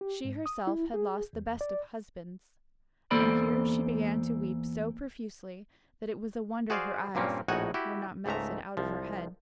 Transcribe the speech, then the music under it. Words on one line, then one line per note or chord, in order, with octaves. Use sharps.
She herself had lost the best of husbands, and here she began to weep so profusely, that it was a wonder her eyes were not melted out of her head.
G4
G#2
D#6
E4
G#4
E2
D5
E2 A#3 A4 C5 D5 B5
F#4 G#4 C5 D5 F5
G2 A#2 A#3 C4 C#4
A#1 A2 D#4 F#4 F#5 G#5
E4 F#4 G4
C#2 G#2 A3 E5 A#5
C2 F3